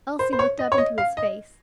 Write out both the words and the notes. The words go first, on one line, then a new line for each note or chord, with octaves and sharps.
Elsie looked up into his face.
C5
C5
C#5
D#5
C#5
D#5
F5
D#5